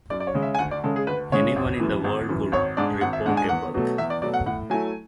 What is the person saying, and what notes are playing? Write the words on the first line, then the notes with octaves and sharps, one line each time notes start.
Anyone in the world could report a bug.
F#2 D5
D5
C#5
C#3 G#3 C#4
E5
G#5
D2 F#5
D5
C#3 G#3 C#4 A4
G#4
D2 B4
C#3 G#3 C#4 C#5
G#1
F#2 E3
G#1
F#2 E3
G#1 C#5
G#2 G#3 D4 D5
G#1 F#5
E5
G#2 G#3 D4 F#5
G#5
E2 F#5
B2 F#3 A3
E2 E5
D5
B2 F#3 A3 D5
F#5
A2 F#5
F#3 A3 E4 G#5